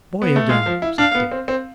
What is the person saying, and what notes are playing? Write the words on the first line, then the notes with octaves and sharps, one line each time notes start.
"Boy again!" said Dick.
B3
A3
G#3 F5
F3
E4
D4 F5
B3
C4
C4